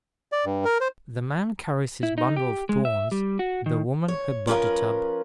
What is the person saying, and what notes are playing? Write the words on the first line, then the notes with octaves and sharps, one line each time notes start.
The man carries his bundle of thorns, the woman her butter-tub.
D5
G2
A#4
C5
E4
D#4
G4
G#3
E5
G3
F#4
D#3
C#5
F3 C#4 F4 G#4 A#4 B4